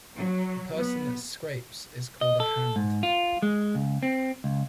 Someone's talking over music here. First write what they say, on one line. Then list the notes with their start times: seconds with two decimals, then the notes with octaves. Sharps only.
The person that scrapes is called a "hand".
0.16 F#3
0.75 B3
2.21 D#5
2.40 A4
2.76 G#2
3.03 F4
3.43 G#3
3.75 C#2
4.03 C4
4.44 C#2